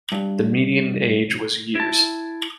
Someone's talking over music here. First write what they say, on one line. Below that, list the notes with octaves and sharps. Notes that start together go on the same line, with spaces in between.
The median age was years.
G2
E4 A5